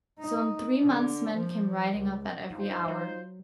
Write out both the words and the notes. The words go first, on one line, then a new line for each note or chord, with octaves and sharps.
So in three months men came riding up at every hour.
D#4
D3
F3
C#2
G1 D#4 F4 C5
F#3